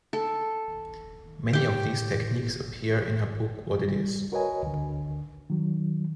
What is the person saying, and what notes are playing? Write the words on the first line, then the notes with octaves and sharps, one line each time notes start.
Many of these techniques appear in her book "What It Is".
A4
A2 G4 G5
G3
F#4 A#4 B4 C#5 D#5 G#5
D2 D3
D#3 F#3